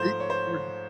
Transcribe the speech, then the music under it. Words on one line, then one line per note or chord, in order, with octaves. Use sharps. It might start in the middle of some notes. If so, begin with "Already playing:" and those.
Beat the coordinates.
Already playing: G#2 F3 A3 C5
C#5
C5